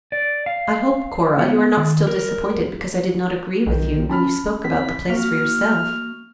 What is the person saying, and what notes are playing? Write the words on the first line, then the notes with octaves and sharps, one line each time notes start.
"I hope, Cora, you are not still disappointed because I did not agree with you when you spoke about the place for yourself."
D5
F5
B3
D#3
A#4
B1 D#3
C#4 A5 B5 F6
C4 B6
A#3 F#4 F6